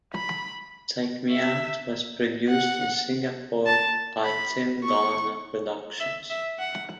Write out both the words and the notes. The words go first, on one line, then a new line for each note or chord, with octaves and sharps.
"Take Me Out" was produced in Singapore by Tim Garner Productions.
B5
E5
F#5
A5
B5
C#6
E5
E5
F#5